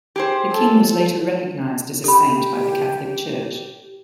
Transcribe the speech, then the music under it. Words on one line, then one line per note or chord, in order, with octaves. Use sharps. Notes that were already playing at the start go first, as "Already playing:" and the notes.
The king was later recognized as a saint by the Catholic Church.
G4 G#4 C5
A4
G4 A4 B5